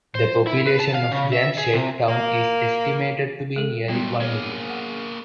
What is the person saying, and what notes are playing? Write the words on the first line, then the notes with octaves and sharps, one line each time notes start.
The population of Jamshed Town is estimated to be nearly one million.
C5
E4
B4
A5
F5
C#3
E5
G#4
C3
A#3
G#3 A4
A#2 F#3 G3 B3
A#3 G#4 C#5
F#5